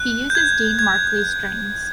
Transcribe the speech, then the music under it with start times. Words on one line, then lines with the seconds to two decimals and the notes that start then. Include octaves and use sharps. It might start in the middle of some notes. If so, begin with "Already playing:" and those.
He uses Dean Markley strings.
Already playing: F#6
0.30 G6
0.35 G#6
0.79 G#6